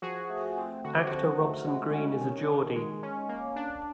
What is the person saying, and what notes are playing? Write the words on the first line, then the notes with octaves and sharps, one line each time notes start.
Actor Robson Green is a Geordie.
F3 F#4 G#4
A3
C4
D3 F#4
G4
F3 F#4
A3
G#3
C#4
D#3
D#3
G#3
C#4
A#3
D4